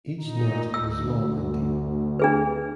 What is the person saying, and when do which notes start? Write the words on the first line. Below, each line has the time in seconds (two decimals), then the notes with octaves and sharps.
Each net was long and deep.
0.21 A#2 D#4
0.74 D2 E6
2.20 D4 G#4 B4